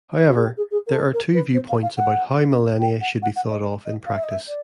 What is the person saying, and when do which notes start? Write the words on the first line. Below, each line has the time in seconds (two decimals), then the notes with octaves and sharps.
However, there are two viewpoints about how millennia should be thought of in practice.
0.28 F#4
0.36 G#4
0.43 G4
0.57 G#4
0.71 G#4
0.86 A#4
0.92 A4
1.13 A#4
1.34 B4
1.54 C5
1.69 F5
1.82 F5
1.97 F#5
2.80 G5
3.01 F#5
3.22 F#5
3.36 F#5
3.50 D#5
3.85 D#5
4.06 F5
4.14 E5
4.23 D#5
4.30 E5
4.47 D5